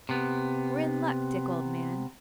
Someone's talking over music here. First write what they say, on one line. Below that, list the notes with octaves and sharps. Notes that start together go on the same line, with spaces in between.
We're in luck, Dick, old man.'
C3 B3